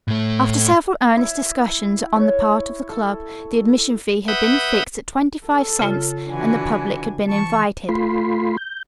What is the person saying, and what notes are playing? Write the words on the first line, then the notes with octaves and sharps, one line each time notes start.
After several earnest discussions on the part of the club, the admission fee had been fixed at twenty-five cents, and the public had been invited.
A2 A3
E4
C#5
A4
B4 E5 F#5 D#6 G6
A4
C#3 F4
D3 E3 D4 F#4 G#5
E3 A5 C#6
A3 F4 B5 C6
G6